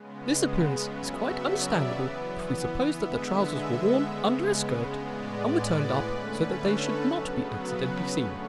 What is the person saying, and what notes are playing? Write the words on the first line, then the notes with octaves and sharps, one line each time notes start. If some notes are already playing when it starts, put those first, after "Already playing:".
This appearance is quite understandable if we suppose that the trousers were worn under a skirt and were turned up so that they should not be accidentally seen.
Already playing: C#3 G#3 B3
C#3 F#3 B3 E5
D5
E3 B3
D3 G#3 B3 E5
E5
C#3 G#3 B3
A2 G#3 B3 D5
B4
D3 A3 C#4 B4
A4
C#3 F#3 B3
B4
D3 A3 C#4